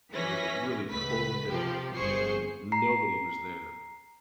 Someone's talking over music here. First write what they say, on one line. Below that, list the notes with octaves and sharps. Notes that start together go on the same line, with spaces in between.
it was a really cold day, and nobody was there,
E3 C#4 B4 A#6 B6
C#2 A3 B4 B6
C3 F3 G4
G1 G#4 C5 C#6 C7
A#5 C7